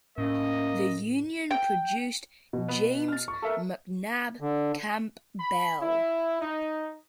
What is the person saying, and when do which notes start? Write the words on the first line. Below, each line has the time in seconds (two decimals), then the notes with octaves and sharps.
The union produced James Macnabb Campbell.
0.18 A2 A#3 C#4 D#5
1.51 G5
2.53 B2
2.68 B3
3.08 F6 A6
3.28 C#6
3.42 A4 A#4 E5
4.40 D3
5.40 B5
5.82 E4
6.41 D#4